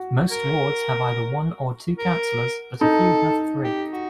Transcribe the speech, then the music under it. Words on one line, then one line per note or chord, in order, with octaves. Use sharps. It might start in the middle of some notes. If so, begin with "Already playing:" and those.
Most wards have either one or two councilors, but a few have three.
Already playing: F#4
A#4
A#4
D#4 A4
G4
F#4